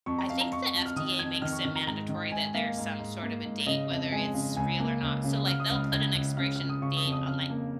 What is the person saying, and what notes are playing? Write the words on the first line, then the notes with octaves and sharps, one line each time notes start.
I think the FDA makes it mandatory that there's some sort of a date, whether it's real or not. So, like, they'll put an expiration date on, like,
F2 C#6
A#5
F2 F5
A#5
F2 C#6
F2
F6
D#3 D#6
F2 G#6
D#3 F6
C#6
D#3 F6
A#5
G#2 A#5
D#3
G#2 G#5
A#3 F5
G#2
G#2
A#3
G#2
C#3 D#5
F2
G#3 G#5
C#3
C#2 G#5
A#3
C#2
C#3
C#3 F6
D#6
C#2 F6
C#2 G#6
C#2
C#3 F6
C#3 F6
D#6
C#3 C#6
D#6
F2
D#6
C#3 F6
A#3